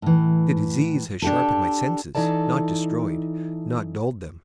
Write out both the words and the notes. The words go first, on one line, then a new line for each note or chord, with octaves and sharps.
The disease had sharpened my senses--not destroyed--not dulled them.
A2 E3
D4 G4 A4
E3 D#4 A4 D5 A5